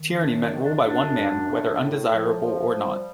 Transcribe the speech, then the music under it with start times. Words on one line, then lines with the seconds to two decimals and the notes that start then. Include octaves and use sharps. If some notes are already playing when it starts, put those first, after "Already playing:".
"Tyranny" meant rule by one man whether undesirable or not.
Already playing: D#3
0.21 F#2 D4
0.43 D4
0.54 D#3
0.64 D4
0.85 F#2 D4
1.17 F#2
1.48 A2
1.80 A2
2.12 F3
2.44 F3
2.75 G3